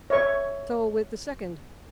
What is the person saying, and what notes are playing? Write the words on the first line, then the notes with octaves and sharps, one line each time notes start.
So with the second.
C#5 E5 C#6